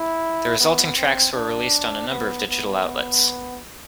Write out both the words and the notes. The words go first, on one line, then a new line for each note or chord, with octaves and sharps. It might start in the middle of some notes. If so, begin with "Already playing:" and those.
The resulting tracks were released on a number of digital outlets.
Already playing: E4
B3
C4
D4
B3
B3
B3